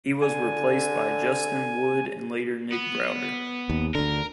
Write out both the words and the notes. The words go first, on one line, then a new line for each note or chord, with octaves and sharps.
He was replaced by Juston Wood and later Nick Browder.
D3 G#5
B3
D#2
D2 D3 A#4